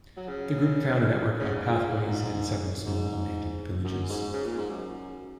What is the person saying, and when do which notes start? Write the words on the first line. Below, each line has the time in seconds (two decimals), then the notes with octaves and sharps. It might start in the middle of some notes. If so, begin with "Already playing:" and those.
The group found a network of pathways and several small, abandoned villages.
0.17 F#3
0.28 C#3
1.39 C#3
1.56 G#2
1.72 A#2
1.89 G#2
2.86 G#2
3.84 F#2
4.09 G#2
4.33 C#3
4.45 A#2
4.58 G#2
4.70 F#2